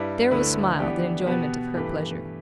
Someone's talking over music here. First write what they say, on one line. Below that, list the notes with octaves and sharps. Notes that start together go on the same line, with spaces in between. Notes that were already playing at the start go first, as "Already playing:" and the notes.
Darrow smiled in enjoyment of her pleasure.
Already playing: G2 G3 E4 G4 B4
D2 D3 A3 E4 B4
E3 B3 D4 G4
B2 B3 G4 B4
G2 E3 A3 G4 B4